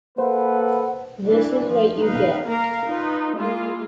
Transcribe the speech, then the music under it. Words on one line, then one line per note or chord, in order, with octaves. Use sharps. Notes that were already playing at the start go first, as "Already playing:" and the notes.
This Is What You Get.
A#3 A4 B4 C5 F#5
E3 D4
F3
D#4 B4 F5
A#3 A#4 F5 A#5
D#4 F4 B4
G#3 A#3 E4 F4